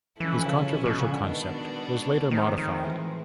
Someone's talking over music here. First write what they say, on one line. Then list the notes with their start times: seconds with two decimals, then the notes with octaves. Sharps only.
His controversial concept was later modified.
0.19 E3 F3 G#3 C#4 E4 A4
0.45 C#3
0.72 B2
0.85 B2
0.99 C#3
1.12 D3
1.25 B2 D#3 G#3 B3 D4
2.30 A2 D#3 F3 G#3 C4
2.57 D#3
2.84 E3